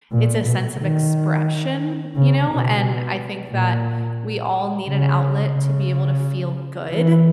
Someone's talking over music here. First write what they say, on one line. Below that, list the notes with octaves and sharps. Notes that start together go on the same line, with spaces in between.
it's a sense of expression, you know? And I think that we all need an outlet to be able to feel good,
A#2
B2
D#3
C#3
B2
A#2
C#3
C#3
E3